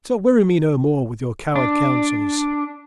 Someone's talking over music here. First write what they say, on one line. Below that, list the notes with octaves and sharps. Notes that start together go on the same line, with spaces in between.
So weary me no more with your coward counsels.
D4